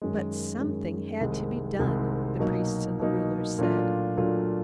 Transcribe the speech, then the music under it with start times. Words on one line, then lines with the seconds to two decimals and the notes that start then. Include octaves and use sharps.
But something had to be done, the priests and the rulers said.
0.02 F#2 D#3 G#3
0.60 F#2 D#3 G#3
1.21 C2 C3 D#3 G#3
1.79 C2 C3 D#3 G#3
2.39 B2 F#3 A#3 D#4
2.99 B2 F#3 A#3 D#4
3.59 A#2 F#3 A3 D4 F4
4.17 A#2 F#3 A3 D4 F4